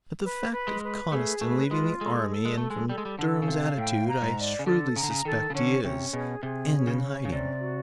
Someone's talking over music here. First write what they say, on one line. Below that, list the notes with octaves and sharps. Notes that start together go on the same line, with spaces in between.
But the fact of Conniston leaving the army and from Durham's attitude I shrewdly suspect he is, and in hiding.
B4
B4
G#3
B4
A3 G#4
A3 B4
G#3 F4
G#3 A4
A4
G#3
A3 A4
G#3
G3 A4
G#3
G3
D3 A4
C#3
C3 F5
A2 G5
A#5
G#2
D5
C#3
D3 A4
C#3 A#5
D3
C#3
D#3 A4
C#3
D3 C#4
C3 C#4
B2 G#4
C3 G#4
C#4
C#3
C#4
C#3
C3 D5
F#4